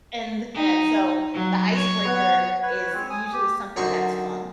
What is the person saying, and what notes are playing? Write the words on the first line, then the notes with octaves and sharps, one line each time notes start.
and and, so the icebreaker is usually something that's fun.
D#4
F#3
C#5
B3 F#5
B4 C#5
G#3 C4 C#5
G#5 D#6
G4
F#2 D3 D#4 F#4 C5 C#6